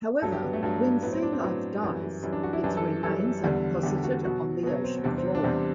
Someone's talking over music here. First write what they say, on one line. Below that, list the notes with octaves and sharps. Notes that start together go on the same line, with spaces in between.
However, when sea life dies, its remains are deposited on the ocean floor.
G2 F#3 A4
G4
B3
A3
G2 F#3
A2 F#3 B3
C4
D4
C4
A2 F#3 B3
F#2 E3 G3
F#2 E3 G3
D4
F#4
E4
F#2 E3 G3 D4
A4
F#2 E3 G3 A4
E2 D3 G3
E2 D3 G3 G4
G4
F#4
B2 F#3 F#4
B2 F#3 B3
C4
C4
E2 C3 G3 D4
C4
D4
E2 C3 G3 C4